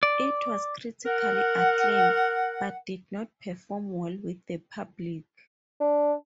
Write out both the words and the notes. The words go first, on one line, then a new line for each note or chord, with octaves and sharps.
It was critically acclaimed, but did not perform well with the public.
D5
A#4 F#5
D4